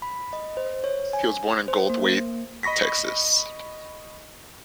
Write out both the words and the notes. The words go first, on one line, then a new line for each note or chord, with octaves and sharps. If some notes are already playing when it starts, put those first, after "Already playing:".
He was born in Goldthwaite, Texas.
B5
D#5
C5
C#5
G#5
C5
A#3
D#5 B5 C#6 A#6 B6